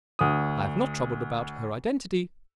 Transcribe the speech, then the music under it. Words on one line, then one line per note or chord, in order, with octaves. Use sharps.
I have not troubled about her identity.
D2 D#6